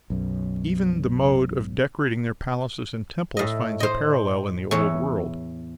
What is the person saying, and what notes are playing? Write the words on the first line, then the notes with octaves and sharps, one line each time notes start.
Even the mode of decorating their palaces and temples finds a parallel in the Old World.
B1 F#2
A2 D#5
C5 D#5
E2 C#5